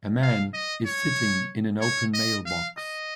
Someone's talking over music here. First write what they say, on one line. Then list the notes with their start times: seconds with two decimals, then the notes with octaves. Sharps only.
A man is sitting in an open mailbox.
0.22 F5
0.53 D#5
0.86 C#5
1.81 C#5
2.14 D#5
2.46 F5
2.78 D#5